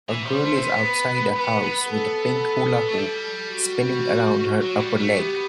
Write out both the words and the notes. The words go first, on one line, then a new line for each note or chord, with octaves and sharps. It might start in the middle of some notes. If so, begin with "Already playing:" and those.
A girl is outside a house with a pink hula hoop spinning around her upper leg.
E3
F#3
G3 C5
A3
C4
B3
B4
B3
B3
A4
A3
G3
F#4
F#3
G3
A3
B3 G4